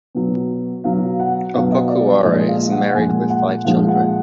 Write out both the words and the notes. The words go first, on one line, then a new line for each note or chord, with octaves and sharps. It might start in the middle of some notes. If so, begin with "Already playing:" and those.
Opoku Ware is married with five children.
B2 F#3
B2 F#3 F5
F#5
B2 F#3 F5
D#5
D5
D5
A#2 F3 G#3 D#5
F5
F#5
F#5
A#2 F3 G#3 G#5
F#5
A#2 F3 G#3 F5
F#5